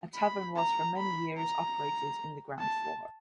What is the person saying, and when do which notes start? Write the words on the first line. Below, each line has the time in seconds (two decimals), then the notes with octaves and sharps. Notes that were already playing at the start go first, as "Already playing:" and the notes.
A tavern was for many years operated in the ground floor.
0.15 B5
0.56 A#5
0.97 B5
1.37 A#5
2.59 A5